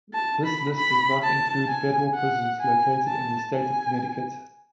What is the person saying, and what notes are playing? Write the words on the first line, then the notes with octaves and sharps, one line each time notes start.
This list does not include federal prisons located in the state of Connecticut.
A5
B5
B5
A5
G#5
F#5
G#5
A5
G#5